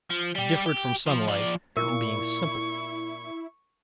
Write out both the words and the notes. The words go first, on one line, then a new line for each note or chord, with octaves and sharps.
It differed from sunlight in being simple.
F3
G3 G4
G4
F3
F3 D5
A#2 E4 A#4 C#6